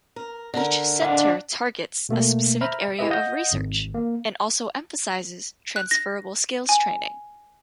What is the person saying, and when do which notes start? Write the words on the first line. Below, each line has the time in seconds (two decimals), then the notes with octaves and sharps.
Each Centre targets a specific area of research, and also emphasises transferable skills training.
0.16 A#4
0.54 D3 A#4
1.01 D4 D5 F5 F#5
2.09 B2 A3 A#3 A4
2.61 C5 E5 A#5 B5 F6 B6
2.99 E4 G4 G#4 B4 D#5 E5
3.11 D#5 F5 F#5 D#6 G6 A#6
3.53 G#1
3.94 A#3
5.76 F#6
5.91 A#6
6.69 G#5